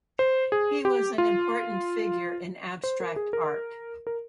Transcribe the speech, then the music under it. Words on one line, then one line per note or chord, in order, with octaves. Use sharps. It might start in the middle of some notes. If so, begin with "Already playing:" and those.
He was an important figure in abstract art.
C5
G#4
G4
F4
C5
A#4
G#4
A#4
A#4